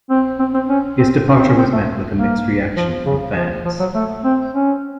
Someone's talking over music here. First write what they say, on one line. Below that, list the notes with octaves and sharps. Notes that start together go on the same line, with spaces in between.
His departure was met with a mixed reaction from fans.
C4
C4
C4
C#4
C4
C#4
C4
C#4
C4
A3
A#3
F3
C#3
F3
F3
F#3
A3
C4
C#4